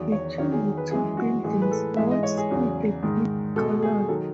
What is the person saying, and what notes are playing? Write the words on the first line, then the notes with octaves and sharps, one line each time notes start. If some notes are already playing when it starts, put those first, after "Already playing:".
Between the two buildings once stood the big Garland.
Already playing: E2 D#3 F#3
C#5
E2 D#3 F#3 C#5
G#4
B4
F#2 E3 G#3 G#4
F#4
A2 E3 G#3 G#4
B4
A4
G#2 E3 G#3 E5
D#5
C#5
G#4
E2 C#3 F#3
G#2 D#3 G#3
B2 G#3 A4
G#4
D#3 F#3 A4